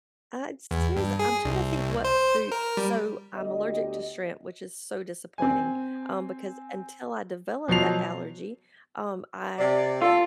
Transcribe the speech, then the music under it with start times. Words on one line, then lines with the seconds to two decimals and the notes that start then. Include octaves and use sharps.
Uh, it's serious I'm trying to think what food so I'm allergic to shrimp, which is so disappointing, um, because until I developed that allergy, um, I
0.71 E2
0.97 G2
1.19 G#4
1.45 C2
2.04 C5
2.52 A#4
2.77 G3
3.36 D2 B3 G4 D#5
5.38 C4 G#5
7.68 B2 F3 F#3 C7 F7
9.58 C3 D5
10.02 F4 A4